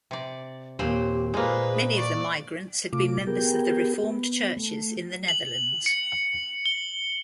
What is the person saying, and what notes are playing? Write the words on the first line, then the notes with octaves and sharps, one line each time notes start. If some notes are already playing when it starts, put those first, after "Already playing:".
Many of the migrants had been members of the Reformed Churches in the Netherlands.
C3 D5
D#2 A#2 C4 G4 C5
A#2 G#3 A#3 G#4 B4 C5
D5 C#6
C3 A3 F4 D6
B3 G4 G#4 A#4 G5
B3
A3
F#7
C#7
G7